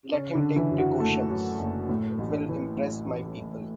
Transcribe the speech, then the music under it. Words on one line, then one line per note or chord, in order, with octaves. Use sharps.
Let him take precautions; it will impress my people.
C#3 C#4
D3 D4
C#3
E3 E4
F#2
F#3 F#4
F#1 A3 A4
F#2
F#1
A2
A1
E3
A2
A1
A1